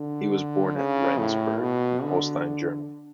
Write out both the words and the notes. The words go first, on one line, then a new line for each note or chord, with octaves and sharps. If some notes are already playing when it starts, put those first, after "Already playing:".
He was born at Rendsburg in Holstein, Germany.
Already playing: D3
C#3
A2
B2
D3